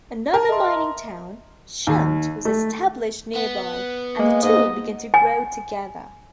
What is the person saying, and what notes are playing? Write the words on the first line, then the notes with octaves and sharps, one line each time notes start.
Another mining town, Chant, was established nearby, and the two began to grow together.
A#4 A5 A#5
D#5 E5 C6
D#2
A3
B3
G#3 A#3
G#2 D#5
G#5